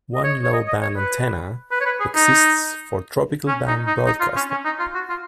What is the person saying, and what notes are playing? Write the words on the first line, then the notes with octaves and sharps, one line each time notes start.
One Low Band antenna exists for Tropical Band broadcasting.
D#5
C#5
C#5
D#5
D#5
C#5
B4
B4
C#5
B4
G#4
D#4
C#4
D#4
D#4
D#4
F4
C#4
C#4
D#4
F4
F#4
F4